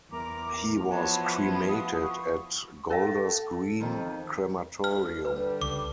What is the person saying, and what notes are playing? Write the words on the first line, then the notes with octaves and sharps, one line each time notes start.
He was cremated at Golders Green crematorium.
E2 A#4 A#5 D6
F3 B3 E4 F#4 C#5 A5
F#4 F5 D#6
C#6
C#4 A4 F5 A5
F2 D#3 F3
D2 F6
D3 G3 B4
C#2 D6